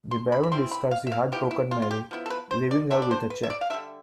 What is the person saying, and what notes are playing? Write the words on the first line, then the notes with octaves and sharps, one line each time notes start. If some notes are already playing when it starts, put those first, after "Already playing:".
The baron discards the heartbroken Marie, leaving her with a check.
C6
B5
B5
E3 G3 C4 E4 C6
B5
F5
E5
F5
F3 B3 E4 G4
E4
F4
F4
G4
F3 B3 E4
A4
B4
C5
D5
D3 G3 B3 D4 E5
D5
C5
B4
E5
D5
F5
D3 G3 B3 D4 E5